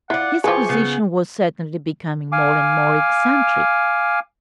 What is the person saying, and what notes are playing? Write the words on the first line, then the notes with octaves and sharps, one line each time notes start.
His position was certainly becoming more and more eccentric.
E4 F4 D5 F#5
F3 E4 F4 G4 G#4 B4 C#6
C#3 B3
F5 G#5 D6